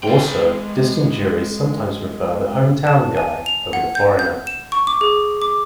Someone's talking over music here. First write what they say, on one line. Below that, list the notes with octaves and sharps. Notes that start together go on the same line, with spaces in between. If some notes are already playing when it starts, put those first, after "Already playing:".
Also, distant juries sometimes prefer the "home-town" guy over the foreigner.
G#3 G5
A5
G#5
F7
F#5
G6
G6
E7
C#6
D6
G#4
D6